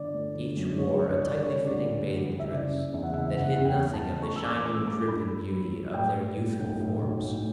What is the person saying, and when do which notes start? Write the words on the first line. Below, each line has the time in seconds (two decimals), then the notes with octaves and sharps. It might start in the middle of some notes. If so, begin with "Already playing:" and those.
Each wore a tightly fitting bathing dress that hid nothing of the shining, dripping beauty of their youthful forms.
Already playing: G1 D5
0.14 A3
0.35 G1
0.57 F#2
0.78 D2 C#5
0.99 D3 C#5
1.21 G3 D5
1.43 G3 C#5
1.64 D2 D5
1.85 D3
2.07 D2
2.29 G3
2.39 E5
2.51 F#1 D5
2.71 C#3
2.94 E2 E5
3.03 F#5
3.13 F#1 E5
3.36 F#1 F#5
3.55 E2 F#5
3.65 G5
3.80 E2
3.93 A5
4.01 C#3
4.22 A3 C#6
4.36 E6
4.44 A1 D6
4.57 D6
4.65 A3 E6
4.86 A3 D6
5.08 G2 B5
5.29 A3
5.51 F#3
5.73 F#3
5.94 A2 G5
6.16 G3
6.37 A2
6.59 B1
6.80 A2
7.02 B1
7.23 A2